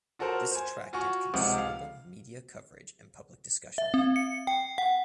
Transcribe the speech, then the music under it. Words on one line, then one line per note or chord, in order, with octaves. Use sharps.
This attracted considerable media coverage and public discussion.
F4 F#4 A4 A#4 C5
C5 G#5
F4 F#4 G#5 C#6
C#2 C3 F3 D#4 F#5 D6
F5
E5
C4
C#7
G5
F#5